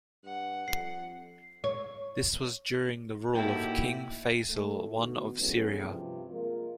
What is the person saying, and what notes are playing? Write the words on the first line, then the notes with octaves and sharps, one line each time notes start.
This was during the rule of King Feisal I of Syria.
G2 F#5
F2 C7
C#5
A2 A#3 D#4 E4 F#4 G4 G5
A3
D3 B3 D#4 F#4
E3 F#3 G#3 A3 B3 C#4
G2 C3 F3
G#3 A#3 F4 A#4